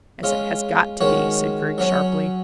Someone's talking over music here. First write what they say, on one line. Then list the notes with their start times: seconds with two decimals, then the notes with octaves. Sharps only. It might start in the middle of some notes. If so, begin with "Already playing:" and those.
"As it has got to be," said Griggs sharply.
0.23 G#3 C#4 F4
1.01 D#3 G#3 C#4 F#4 C#5
1.78 F#3 C#4 F#4 C#5